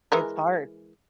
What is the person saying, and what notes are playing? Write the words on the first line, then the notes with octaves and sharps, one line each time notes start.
It's hard.
E3 G#3 A#4